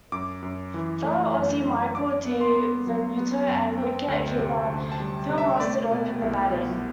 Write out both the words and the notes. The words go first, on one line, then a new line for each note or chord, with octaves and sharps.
Fellow Aussie Michael Di Venuto and wicket-keeper Phil Mustard opened the batting.
F#2 D6
F#2
E3
A3
F#2
F#2
D4 D6
B3
C6
B3
F#3
B3
F#2
C4
D2
C3
D2
A5
G3
C3
E5
A3 D5
B2
C2
B2